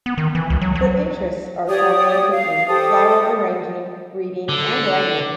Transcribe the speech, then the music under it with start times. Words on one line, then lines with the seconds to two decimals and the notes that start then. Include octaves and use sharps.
Her interests are gourmet cooking, flower arranging, reading, and writing.
0.06 B3
0.18 D#3
0.35 E3
0.50 C#2
0.61 F#3
0.75 F#3
1.67 G4 C#5 D5 D#6
2.31 F5
2.67 G4 A4 C5 D#6
4.49 D3